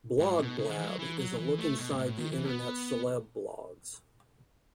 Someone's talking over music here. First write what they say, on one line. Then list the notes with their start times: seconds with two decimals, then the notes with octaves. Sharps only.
"Blog Blab" is a look inside the internet celeb blogs.
0.19 G#2
0.39 B2
0.59 C#3
0.68 D#3
0.79 E3
0.83 G#3
0.88 F#3
0.99 E3
1.19 F#3
1.39 E3
1.58 A3
1.79 B2
1.90 G#2
1.98 A2
2.18 D#3
2.32 E3
2.45 B3